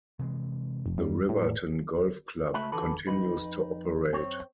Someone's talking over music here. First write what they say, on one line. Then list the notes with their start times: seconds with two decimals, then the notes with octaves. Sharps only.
The Riverton Golf Club continues to operate.
0.19 C3 E3 G#3
0.86 F1 F2
0.98 F#2 G3
1.29 A2
2.54 C#2 A3 F#4 E5 B5
2.72 D3 E3 F#4 A4 B4
3.07 F2 B2 D#4 B4
4.12 F#2 C4 C#5